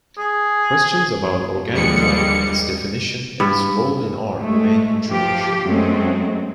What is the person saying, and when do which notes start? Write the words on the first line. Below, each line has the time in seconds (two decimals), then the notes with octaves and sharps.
Questions about organic form, its definition, and its role in art remain controversial.
0.19 G#4
1.73 D#2 D3 F3 G3 G#3 C#7
3.40 G2
4.37 G#3 A3
5.07 F3 G4
5.65 F#2 F#3 G#3 A3 C4